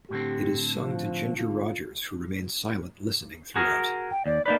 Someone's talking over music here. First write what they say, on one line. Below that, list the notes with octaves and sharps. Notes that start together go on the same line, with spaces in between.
It is sung to Ginger Rogers, who remains silent listening throughout.
A2 D3 C4 G4
F3
F4
F#4 G#4 A#4
G5
D#2 D5
A#3 D#4 B4 D5